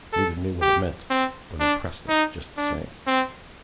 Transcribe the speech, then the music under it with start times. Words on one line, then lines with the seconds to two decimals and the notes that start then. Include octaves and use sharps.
Neither knew what it meant, but impressed them just the same.
0.13 A4
0.62 G4
1.10 C4
1.60 D4
2.09 D#4
2.58 D4
3.07 C4